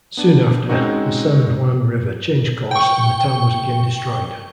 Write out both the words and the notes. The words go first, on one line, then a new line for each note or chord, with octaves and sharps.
Soon after, the San Juan River changed course and the town was again destroyed.
B3 D4
G#3 C4 C#4 D#4 F#4
G5 C#6